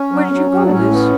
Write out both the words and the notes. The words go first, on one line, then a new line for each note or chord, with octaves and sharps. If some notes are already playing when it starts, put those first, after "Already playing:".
'Where did you go, Liz?'
Already playing: C#4
F#3
F#3
F#3
D4
A2 C#4
B3